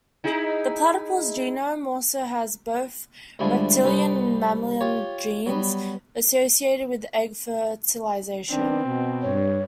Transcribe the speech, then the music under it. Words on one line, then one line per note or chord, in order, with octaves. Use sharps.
The platypus genome also has both reptilian and mammalian genes associated with egg fertilisation.
D#4 E4 G#4
D2 F3 G3 G#3 D4 E4
C2 G3 D#4 B4 C5
F4 G4 C#5
F#3 G3 B3
D#3 B3 C4 D4
B2
G2 C#5